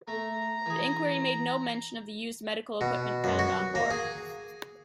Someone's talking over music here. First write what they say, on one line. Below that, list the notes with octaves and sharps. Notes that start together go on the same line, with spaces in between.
The inquiry made no mention of the used medical equipment found on board.
A3 A#5
E3 G#4
B2
F#2
F#4
A#3
G#4